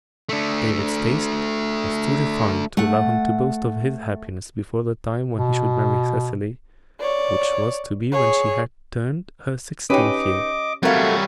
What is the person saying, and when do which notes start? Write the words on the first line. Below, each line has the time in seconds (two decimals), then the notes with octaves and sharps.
David's taste was too refined to allow him to boast of his happiness before the time when he should marry Cecily, which was to be when she had turned her sixteenth year.
0.29 A3 D4
2.77 A3 F#5
5.35 B2
7.00 C#5 D5
8.12 G#4 C#5
9.90 C#4 D#4 G4 B4 D#5 G5 D6
10.83 F#3 G3 A3 C4 A#4 C#5 F5